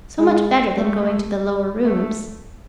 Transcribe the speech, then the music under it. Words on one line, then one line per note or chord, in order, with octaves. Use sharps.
So much better than going to the Lower Rooms.
G#3
A3
A3